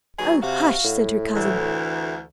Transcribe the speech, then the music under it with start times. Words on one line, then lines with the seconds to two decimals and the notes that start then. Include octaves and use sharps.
"Oh, hush!" said her cousin.
0.19 D#2 F#3 G#4 B4
0.43 C3 F#4 F5
0.85 A2
1.35 D2 E3